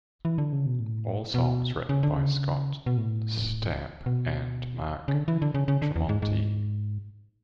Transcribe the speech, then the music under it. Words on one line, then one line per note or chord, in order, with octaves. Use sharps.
All songs written by Scott Stapp and Mark Tremonti.
E3
D3
C#3
B2
A2
B2
C#3
D3
C#3
B2
A2
B2
C#3
D3
E3
D3
C#3
C#3
D3
E2
G#2
G#2